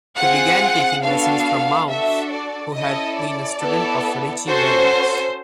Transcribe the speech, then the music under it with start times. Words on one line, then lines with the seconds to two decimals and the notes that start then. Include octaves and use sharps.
He began taking lessons from Maus, who had been a student of Ritchie Valens.
0.17 C4 F4 G#4 F#5
1.03 B3 D4 F#4 A4 F5
1.89 D4 F#4 A4 E5
2.32 D5
2.74 C#4 E4 A4 D#5
3.17 D5
3.60 B3 E4 A4
4.46 C#4 F#4 A4 C5